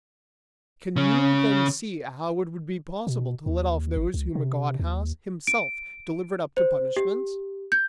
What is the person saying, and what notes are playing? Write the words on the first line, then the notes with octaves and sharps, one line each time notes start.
Can you then see how it would be possible to let off those whom a god has, himself, delivered up to punishment?
C#3 C#4
B2
D#2
G#1
C#2
C3
D#2
D7
C5
G4
G6